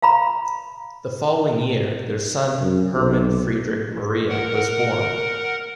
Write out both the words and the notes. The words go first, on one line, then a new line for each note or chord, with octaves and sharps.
The following year, their son Hermann Friedrich Maria was born.
F5 A#5 B5
F#2
B1
A#4 F#5